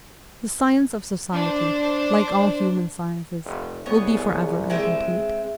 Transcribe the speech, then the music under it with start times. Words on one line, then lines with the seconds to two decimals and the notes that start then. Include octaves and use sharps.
The science of society--like all human sciences--will be for ever incomplete.
1.34 D4 C5
3.45 F1
3.86 C2 B3 G#4 C#5
4.70 G#3 C4 E5